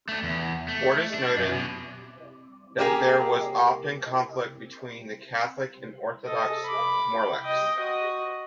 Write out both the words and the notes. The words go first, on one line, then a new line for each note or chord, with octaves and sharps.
Fortis noted that there was often conflict between the Catholic and Orthodox Morlachs.
A3 D4
E2
A3
D4
F#2
B2
A#3 G4 G#4 A#4
A4 D#5
B5 D6
D#5 G5
F#4 D#5